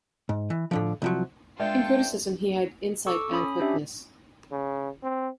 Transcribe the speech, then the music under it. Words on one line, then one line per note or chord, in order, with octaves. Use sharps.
In criticism he had insight and quickness.
G#2
E3
A2 D3 F3
C2 F3 F#3
G#3 D4 F4 A4 B4 D5 E5 G5
A4 C#6 D6 E6
C#4 B5 D#6
C#4 D4 G4 E5
C#3
C4